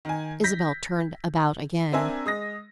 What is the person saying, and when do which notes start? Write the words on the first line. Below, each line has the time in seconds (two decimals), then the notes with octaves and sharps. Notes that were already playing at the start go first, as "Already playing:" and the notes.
Isabel turned about again.
0.05 D#3 G#5
0.44 G6 A#6 B6
1.92 C4 D4 A#4 C5 E5 G#5
2.26 G#3 D#6 A#6